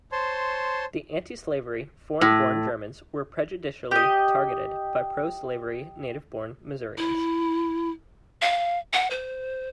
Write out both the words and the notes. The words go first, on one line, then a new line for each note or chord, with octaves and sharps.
The anti-slavery foreign-born Germans were prejudicially targeted by pro-slavery native-born Missourians.
C5 C#5 A5 C6
A2
G4 D#5
E4
F5
F#5
C5